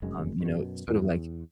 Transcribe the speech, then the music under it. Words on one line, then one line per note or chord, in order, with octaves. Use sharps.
um, you know, sort of like,
F1 F#2 G#3
F#2 B2
E2